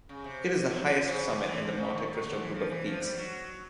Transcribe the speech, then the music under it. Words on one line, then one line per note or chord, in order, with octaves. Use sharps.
It is the highest summit in the Monte Cristo group of peaks.
C#3
C3
C3
C#3
D3
E3
C3
C#3
D#3
D#3
D3
E3
F3
E3
F3
G3
F#3